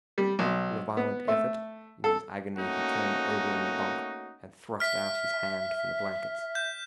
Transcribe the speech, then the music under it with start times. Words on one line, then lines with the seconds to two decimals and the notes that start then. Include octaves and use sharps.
With a violent effort, in his agony he turned over in the bunk and thrust out his hand from the blankets.
0.18 G3
0.39 B1
0.97 B3
1.28 A3
2.04 A4
2.57 A3 A#3 C#4 D#4 F#4
4.80 E5 F6 B6
6.55 G6